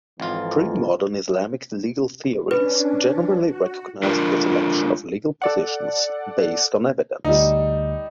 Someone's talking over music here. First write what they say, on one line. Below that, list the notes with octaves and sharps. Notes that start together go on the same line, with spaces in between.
Premodern Islamic legal theories generally recognized the selection of legal positions based on evidence.
G#1 F2 E3 F4
C#4 D4 B4
F#4
G#3 D4 F4 A#4
A4 D5 F#5
D2 G3 D#4